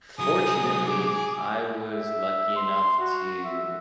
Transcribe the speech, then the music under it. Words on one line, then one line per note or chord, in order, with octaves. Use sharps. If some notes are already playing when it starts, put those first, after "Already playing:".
fortunately, I was lucky enough to
C2 F#3 G#4 D#6
G#4 D6
E5
C6
F#4
E5